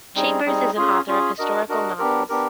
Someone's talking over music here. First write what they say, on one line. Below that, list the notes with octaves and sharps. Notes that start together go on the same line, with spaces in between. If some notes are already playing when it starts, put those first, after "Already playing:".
Chambers is an author of historical novels.
G3 C4 D#4 G#4
G3 C4 D#4 G#4
C#4 F4 G#4
C#4 F4 G#4
D4 F#4 A#4 D#5
D4 F#4 A#4 D#5
B3 D4 G4 A#4
B3 D4 G4 A#4